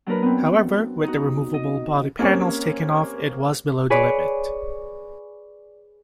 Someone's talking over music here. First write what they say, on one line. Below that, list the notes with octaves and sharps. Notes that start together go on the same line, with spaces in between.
However, with the removable body panels taken-off it was below the limit.
F#3 A#3 D4 F#4 A#4 B4
B3 C4
D#4 F#4
D#5
A#3 C4 C#4 G4 C#5
G#4 B4 C#5 D5